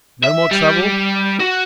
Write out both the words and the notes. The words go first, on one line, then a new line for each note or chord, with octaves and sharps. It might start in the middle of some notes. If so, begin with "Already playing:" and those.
No more trouble?
E5
G3
F#4